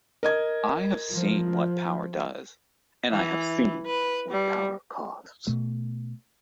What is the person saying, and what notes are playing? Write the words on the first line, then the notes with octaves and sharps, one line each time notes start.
I have seen what power does, and I have seen what power costs.
A#4 D#5 G#6
F3
E3
B4
G3
B2 A3